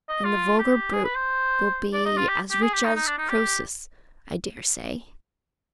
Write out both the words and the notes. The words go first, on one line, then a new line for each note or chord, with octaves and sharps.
And the vulgar brute will be as rich as Croesus, I dare say.'
D#5
F4
G4
G#4
B4
C5
D5
D#5
F4
G4
G4
G#4
G4
D#4
D#4
D4
D#4
G4